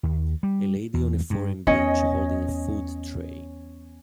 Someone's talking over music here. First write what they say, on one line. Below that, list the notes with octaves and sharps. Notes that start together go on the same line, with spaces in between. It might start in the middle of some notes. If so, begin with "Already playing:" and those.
A lady on a foreign beach holding a food tray.
D#2
G3
E2
G2
E2 C#4 D#5